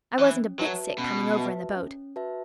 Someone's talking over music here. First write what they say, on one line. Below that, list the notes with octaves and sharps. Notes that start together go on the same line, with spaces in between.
I wasn't a bit sick coming over in the boat.
E3 C#4
F#3 F#4 B4 E5 A5
B2 C#4
F#4 B4 E5 A5
C#4
F#4 B4 E5 A5